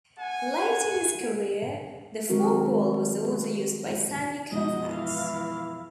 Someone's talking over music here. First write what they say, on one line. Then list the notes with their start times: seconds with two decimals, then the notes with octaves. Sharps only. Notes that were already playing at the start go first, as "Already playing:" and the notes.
Late in his career, the forkball was also used by Sandy Koufax.
0.19 F#5 G#5
2.29 D#3 F#3 G#3 C4 F#4 A#4
4.52 F#2 B2 F3 G#3 F#4 D#5
4.87 E3 E4 F5